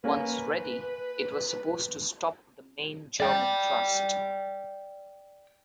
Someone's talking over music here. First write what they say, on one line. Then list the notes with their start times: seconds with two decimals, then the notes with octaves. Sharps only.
Once ready, it was supposed to stop the main German thrust.
0.04 A#3 C#4 A#4 B4
3.20 D5 G5